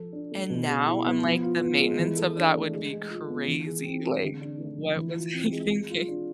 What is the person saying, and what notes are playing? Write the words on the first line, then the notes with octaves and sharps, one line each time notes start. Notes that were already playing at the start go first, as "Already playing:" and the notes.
and now I'm like, "The maintenance of that would be crazy," like, what was I thinking?
Already playing: F3 A4
D4
A3
B2
G#4
E4
B3
F3
F4
B3
G#3
E3
A4
D4
A3
G#3
G#3
F4
B3
E3
G#4
C4
G#3
D3
D4
A3
F3
E3
F4
C4
G#3
G#3
F4
D4